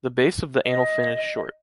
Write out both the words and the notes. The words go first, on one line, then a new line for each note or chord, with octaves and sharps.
The base of the anal fin is short.
D#5